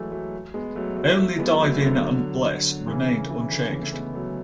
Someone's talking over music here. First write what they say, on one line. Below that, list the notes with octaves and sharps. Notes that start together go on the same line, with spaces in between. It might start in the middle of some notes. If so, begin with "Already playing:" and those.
Only "Dive In" and "Bless" remained unchanged.
Already playing: E3 F#3 G#3 A3
F#3 A3
G#3 B3
F#3 A3
F#3 A3
F#3 A3
G#3 B3
F#3 A3
D3 F#3
C#3 E3
C#3 E3
D3
C#3 E3
A3
G#3 B3
F#3 A3